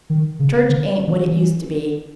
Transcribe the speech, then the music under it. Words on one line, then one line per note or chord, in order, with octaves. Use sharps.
Church ain't what it used to be.
D#3
C#3
D3
E3
E3